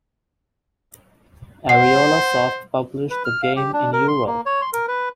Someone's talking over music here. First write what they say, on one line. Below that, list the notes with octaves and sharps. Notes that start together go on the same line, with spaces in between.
Ariolasoft published the game in Europe.
C5 F#5 C7
B4
F6
F5
G4
D4
A#4
C6
A#3
C#5
C6
A#4
B4